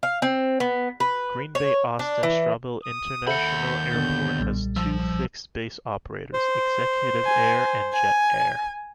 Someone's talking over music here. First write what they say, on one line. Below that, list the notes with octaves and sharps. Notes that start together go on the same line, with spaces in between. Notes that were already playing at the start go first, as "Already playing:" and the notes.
Green Bay-Austin Straubel International Airport has two fixed-base operators: Executive Air and Jet Air.
F5
C4
B3
B4
C#5
D4
E3
D#6
D#2 A4 E5 F#5 B5 G6 C#7
B2 D3 A6
B1 A#2 G3
F3 E6
C5
G#5
G#5